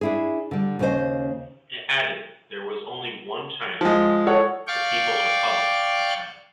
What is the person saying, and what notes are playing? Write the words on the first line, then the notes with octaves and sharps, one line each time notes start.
It added, there was only one China, the People's Republic of China.
D4 E4 G#4
D3 G3
D#2 C#3 C#4 G4 C5 D#5
F3 G#3
A4 C#5 F#5
D5 F5 G5 C#6 D6